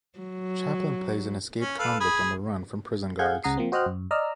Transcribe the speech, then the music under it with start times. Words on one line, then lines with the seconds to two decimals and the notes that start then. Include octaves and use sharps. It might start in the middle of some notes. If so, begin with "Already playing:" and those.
Chaplin plays an escaped convict on the run from prison guards.
0.19 F#3
1.60 C#4
1.79 A4 B4 F5
2.00 G#4 B5
3.19 G#4 F5 F#5 G6 G#6
3.43 C#2 C#3 F#5 A#5 D#6 C7
3.57 F3 A#3 C4
3.72 F#4 C5 D#5 G5 F6 F#6
3.86 F#2
4.11 D5 D#5 A#5 E6 F6